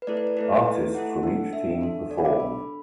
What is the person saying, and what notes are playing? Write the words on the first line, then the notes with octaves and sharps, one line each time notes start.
Artists from each team performed.
B4
A3 E4 A4 D5
B4
D5
A3 E4 A4 B4
A3 E4 A4
A3 E4 A4 F#5
D4 A4
D4 A4 E5
D4 A4
D4 A4 D5
B5
D6
D4 A4 B5